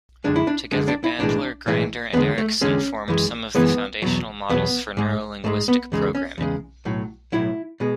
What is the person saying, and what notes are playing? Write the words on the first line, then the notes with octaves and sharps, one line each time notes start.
Together Bandler, Grinder, and Erickson formed some of the foundational models for Neuro-linguistic programming.
F#2 D3 G#3 D4
E4
D4
F#2 D3 G#3 D4
D4
E4
B1 A2 E3 G#3 D4
B1 A2 E3 G#3
E2 D3 G#3 B3
A3
E2 D3 G#3 C#4
F#2 E3 G#3
F#2 E3 G#3 B3
E2 B2 F#3
E2 B2 F#3 B3
G#2 G#3
G#2 G#3 A3
B3
E2 C#3 G#3
C#4
E2 C#3 G#3
B1 A2 F#3
B1 A2 F#3 E4
B2 G#3